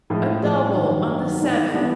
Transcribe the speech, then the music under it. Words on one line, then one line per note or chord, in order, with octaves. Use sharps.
"A 'double' on the seven!"
A2 F3 G#3
A2 F3 G#3
G2 D#3 F#3
G2 D#3 F#3
G#2 E3 G3 B3 D4
E3 G3 B3 D4